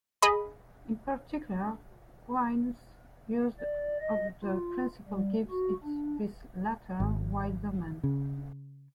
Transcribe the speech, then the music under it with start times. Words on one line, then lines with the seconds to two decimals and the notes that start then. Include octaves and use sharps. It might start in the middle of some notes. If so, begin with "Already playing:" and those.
In particular, Quine's use of the principle gives it this latter, wide domain.
0.22 G#4 D#5 B5
3.59 D5
4.01 D#5
4.43 F4
5.09 G3
5.51 F#4
5.84 D4
7.00 G#1
8.04 C#3